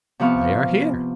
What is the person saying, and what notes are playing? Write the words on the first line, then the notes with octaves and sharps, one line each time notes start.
"They are here."
C3 F3 B3 F5 C#6